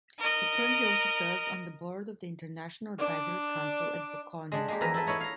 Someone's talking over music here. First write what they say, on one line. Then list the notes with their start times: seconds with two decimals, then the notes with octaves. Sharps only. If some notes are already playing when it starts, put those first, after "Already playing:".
He currently also serves on the board of the International Advisory Council at Bocconi.
0.19 A#4 D#5
2.98 D4 D5
4.52 G#3 D4 G4
4.68 G#3 A#3 G4
4.81 E2 E3 F3 A#4 B4
4.94 E4 A4 B4 E5
5.06 E4 B4 C#5 D#5
5.20 F5 A#5